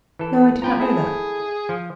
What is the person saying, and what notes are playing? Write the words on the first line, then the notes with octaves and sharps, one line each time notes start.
"No, I did not know that."
E3 A4
F3 B4 G5 A#5
E4 G#4 A4
F3